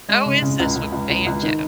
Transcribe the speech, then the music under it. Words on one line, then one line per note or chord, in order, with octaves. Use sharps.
How is this with banjo?
G#3
C#3
C#3
C#2
C#2
C#2
C#2
C#2
D#3